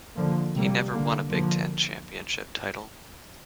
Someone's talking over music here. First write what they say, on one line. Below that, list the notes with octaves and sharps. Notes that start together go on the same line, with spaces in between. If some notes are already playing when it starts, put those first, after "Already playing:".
He never won a Big Ten championship title.
D3 F3 A#3
C3 G3 A#3
D3 A#3
D3 F3 A#3